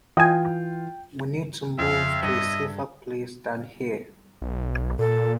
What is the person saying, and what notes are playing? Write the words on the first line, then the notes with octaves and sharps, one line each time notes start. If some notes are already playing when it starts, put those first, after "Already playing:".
We need to move to a safer place than here.
E3 F4 D#5 G5 G#5
F2 E5 F5
G2 D#5
B1
A#2 A4